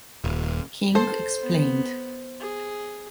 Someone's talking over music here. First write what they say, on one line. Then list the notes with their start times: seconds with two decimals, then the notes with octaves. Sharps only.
King explained.
0.24 D#1
0.95 A4 C5
1.42 B3
2.40 G#4